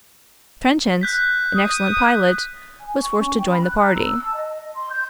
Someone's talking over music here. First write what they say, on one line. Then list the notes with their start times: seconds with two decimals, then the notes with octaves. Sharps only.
Trenchant, an excellent pilot, was forced to join the party.
1.01 F#6 G6 B6
1.56 D#6
2.80 G#5
2.98 C#6
3.19 C#4
3.34 G5
3.47 B5
3.64 F#6
3.81 A#5
3.95 E6
4.22 A5
4.35 D#5
4.74 C6
4.90 G6